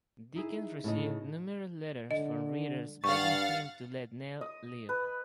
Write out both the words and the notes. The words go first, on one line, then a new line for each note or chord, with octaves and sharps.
Dickens received numerous letters from readers begging him to let Nell live.
D#4 E4 G#4
A2 C#3 D#5
D3 D#5
G2 F5 F#5 C#6 A6
D#5
B4